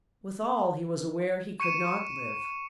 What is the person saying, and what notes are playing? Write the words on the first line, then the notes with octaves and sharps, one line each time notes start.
Withal he was aware he could not live.
C#6 C#7 D#7 E7